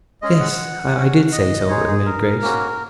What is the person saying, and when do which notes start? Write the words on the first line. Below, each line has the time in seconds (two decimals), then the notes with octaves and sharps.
"Yes, I did say so," admitted Grace.
0.22 G#3 C#4 G#4 D#5
0.40 F#5
0.96 C#4 F#4
1.32 D#5
1.69 G#3 D#4 G#4 C#5
1.87 G#4
2.06 A#4
2.42 A#3 C#4 F#4